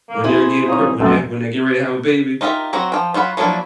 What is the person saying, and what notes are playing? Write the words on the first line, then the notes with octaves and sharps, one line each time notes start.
when they're getting pre when they're when they're getting ready to have a baby.
A#3
C3 E4 G#4 C5
D#4 F4 C5 C#5
F#2 A3 C4
D#4 F4 G4 A#4 E5
F#3 C4 F#4 A#5
F3 G5
F#3 F4 F#5 B5
F3 F#3 A#3 D4 E4